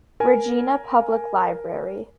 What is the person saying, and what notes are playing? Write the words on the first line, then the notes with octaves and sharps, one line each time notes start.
Regina Public Library.
A#4 G#5